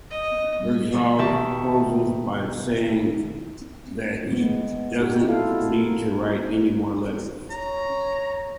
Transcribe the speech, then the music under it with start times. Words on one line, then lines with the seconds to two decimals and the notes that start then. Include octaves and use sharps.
Herzog closes by saying that he doesn't need to write any more letters.
0.10 D#5
1.18 B2 D#3 G4 E5 A5 C#6
4.32 G#3 B3
4.99 D#4 F#4 G4
5.25 C4 E4 F4 A4 F5
5.75 A#4
7.50 C#5 A#5